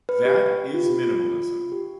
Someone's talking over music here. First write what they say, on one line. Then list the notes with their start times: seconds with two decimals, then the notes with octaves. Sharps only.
That is minimalism.
0.09 B4
0.25 G4
0.74 F4
1.72 G4